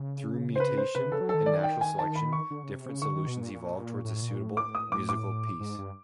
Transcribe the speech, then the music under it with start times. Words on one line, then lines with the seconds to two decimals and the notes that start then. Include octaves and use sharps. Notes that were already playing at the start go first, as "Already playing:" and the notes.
Through mutation and natural selection, different solutions evolve towards a suitable musical piece.
Already playing: C#3
0.56 C5
0.60 B4
0.77 C5
0.95 C3 B4
1.08 C#3 A4
1.21 F#3
1.29 A4
1.34 D#3
1.46 D#3 D5
1.64 G5
1.81 G#5
1.99 A5
2.15 B5
2.33 C#6
2.51 D3
2.64 C#3
2.76 C3
2.88 C#3
3.02 D3 C#6
3.15 D#3
3.27 B2
3.41 A#2
3.54 A#2
4.05 A2
4.22 A#2
4.40 A2
4.57 D6
4.75 D#6
4.92 D6
5.09 D6
5.60 G#2
5.78 G2